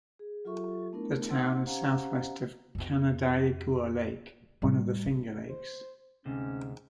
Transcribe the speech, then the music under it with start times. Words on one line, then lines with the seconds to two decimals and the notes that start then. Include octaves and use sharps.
The town is southwest of Canandaigua Lake, one of the Finger Lakes.
0.19 G#4
0.45 F#3 F4 G4 A4 E5 C#6
0.93 A3 B3 D4 E4 A#4
1.30 A#3 D#4 C5 F#5 C6 E6
1.66 C#4 G4 C5 F5 F#5 A#5
2.75 F2 B3
4.62 A2 G3
5.06 A#3
5.49 C5
6.26 D2 G#2 C3 C#4